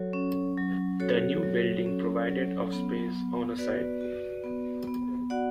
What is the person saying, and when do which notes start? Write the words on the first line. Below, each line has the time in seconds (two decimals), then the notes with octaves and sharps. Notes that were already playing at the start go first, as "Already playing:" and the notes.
The new building provided of space, on a site.
Already playing: F#3 F#4 A4 C#5
0.13 C#4
0.58 F#3
1.00 F#4 A4 C#5
1.43 F#3
1.86 C#4
2.30 F#3
2.73 B3
3.15 B3
3.58 F#4 B4 D5
4.01 F#4
4.44 B3
4.88 B3
5.30 F#4 D5 F#5